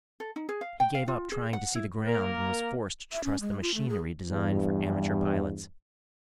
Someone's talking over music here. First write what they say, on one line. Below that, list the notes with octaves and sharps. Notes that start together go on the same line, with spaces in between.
He gave up trying to see the ground and was forced to trust the machinery designed for amateur pilots.
A4
D#4
G#4
F5
G5
F5
F4
G#4
F#5
E4
A#3 A#4
E5
C#4
G#3
F4
A3
G#4
E2 G2